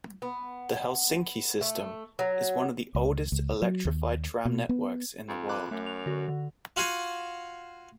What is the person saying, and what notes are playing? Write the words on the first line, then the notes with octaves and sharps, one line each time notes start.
The Helsinki system is one of the oldest electrified tram networks in the world.
B3
A3
F#3
C#2
C#2
F#3
D#2
B2
B3
F2
B5 D6 F#6
F#2 A3
F7
D3 F#4
D3
F4 F#4 F5 G#5